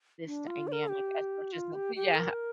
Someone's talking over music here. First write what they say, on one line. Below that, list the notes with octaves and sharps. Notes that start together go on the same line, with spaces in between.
this dynamic as much as I" Yeah.
D4
F4
D5
A#4
G4
F4
G4
G4
A#4